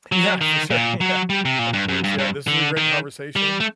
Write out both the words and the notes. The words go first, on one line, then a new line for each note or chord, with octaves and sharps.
Yeah, for sure, yeah. Of course, yeah, this was a great conversation.
F#3
D#3
A#2
F#3
G3
C3
A#2
G2
F#2
G2
G2
D3
D#3
G3
A3